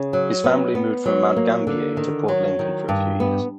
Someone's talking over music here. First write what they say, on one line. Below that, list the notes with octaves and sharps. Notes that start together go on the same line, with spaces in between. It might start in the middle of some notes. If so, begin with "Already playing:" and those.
His family moved from Mount Gambier to Port Lincoln for a few years.
Already playing: C#3
F#3
B3
B3
F#3
A#3
D3
D#3
F#3
D#3
G2
B3